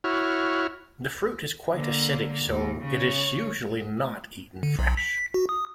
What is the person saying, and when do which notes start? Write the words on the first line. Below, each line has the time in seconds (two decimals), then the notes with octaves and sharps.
The fruit is quite acidic, so it is usually not eaten fresh.
0.04 E4 F#4 C#5 F6
1.71 D3 A#3
2.46 D#2
2.85 C#3 C#5
4.63 D3
4.79 B1
4.97 B6
5.34 F#4
5.49 D#6